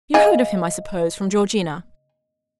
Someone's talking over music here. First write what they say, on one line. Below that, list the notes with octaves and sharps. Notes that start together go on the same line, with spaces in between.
You heard of him, I suppose, from Georgina.
C#3 G#4 D#5